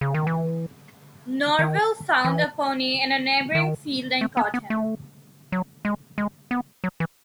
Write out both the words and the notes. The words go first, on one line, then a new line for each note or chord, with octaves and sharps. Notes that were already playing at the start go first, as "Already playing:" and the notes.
Norvell found a pony in a neighboring field and caught him.
C#3
D#3
E3
D#3
E3
D#3
A3
B3
B3
A3
F#3
G#3
G#3
B3
F#3
E3